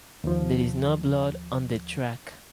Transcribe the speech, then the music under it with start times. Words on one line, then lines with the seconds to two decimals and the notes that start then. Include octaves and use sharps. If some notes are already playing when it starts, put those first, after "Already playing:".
There is no blood on the track.
0.24 D#2 F3